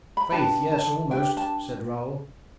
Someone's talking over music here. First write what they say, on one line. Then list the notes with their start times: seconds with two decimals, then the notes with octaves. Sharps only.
"Faith, yes, almost," said Raoul.
0.17 B5
0.32 D4 G4 B4 A5
0.72 A5
1.11 D4 G4 B4 G5
1.37 A5